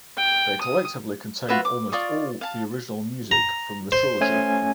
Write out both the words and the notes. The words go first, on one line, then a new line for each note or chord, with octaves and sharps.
They collectively contain almost all of the original music from the trilogy.
G5
D#6
F4 F#4 B4 E5
D6
F4 D5 C#6 D#6
F5 A5
A#5
C5
A3 C#4 G#5